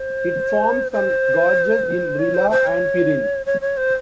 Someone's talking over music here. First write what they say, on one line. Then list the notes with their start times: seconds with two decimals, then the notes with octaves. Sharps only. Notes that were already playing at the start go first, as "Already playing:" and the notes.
It forms some gorges in Rila and Pirin.
Already playing: C5
0.92 C5
2.19 C#5
2.34 C5
2.51 C5
2.67 C#5
3.46 C#5
3.61 C#5
3.77 C5